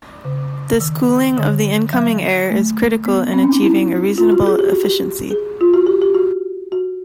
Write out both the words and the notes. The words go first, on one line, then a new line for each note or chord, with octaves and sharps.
This cooling of the incoming air is critical in achieving a reasonable efficiency.
C#3
D#3
D3
F#3
A3
B3
C4
C#4
D#4
E4
F4
F#4
G#4
G4
F#4
G4
G#4
F4
F#4
G4
G4
F#4
F#4